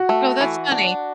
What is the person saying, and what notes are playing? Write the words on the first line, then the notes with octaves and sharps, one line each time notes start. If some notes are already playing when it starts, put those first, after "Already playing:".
Oh, that's funny.
Already playing: F#4
A3
E3
D4